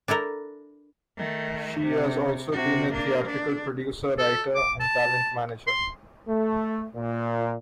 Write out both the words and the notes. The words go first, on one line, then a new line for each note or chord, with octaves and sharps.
She has also been a theatrical producer, writer and talent manager.
D4 E4 A4 A#4
D#3 A3
C3
C3 F#4
A#3 D4
D4
A4
D6
A5
C6
A3
A#2